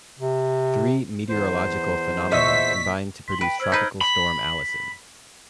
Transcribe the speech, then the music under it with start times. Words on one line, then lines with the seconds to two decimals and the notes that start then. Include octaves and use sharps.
Three meteorological phenomena combined to produce Tropical Storm Allison.
0.19 C3
1.29 E2 C5
2.32 A#2 D#5 E5 C#6 E6 B6
3.28 C6 B6 F#7
3.41 B4 G5 D7
3.60 C5 E6 F6 G#6
3.72 D#4 B4 F6 B6
4.01 B5